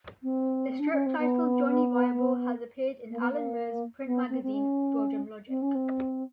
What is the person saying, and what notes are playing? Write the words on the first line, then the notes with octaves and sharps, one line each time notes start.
A strip titled "Johnny Viable" has appeared in Alan Moore's print magazine "Dodgem Logic".
C4
D4
C#4
C4
B3
A#3
B3
A#3
B3
C4
C4
C#4
C4
C#4
C4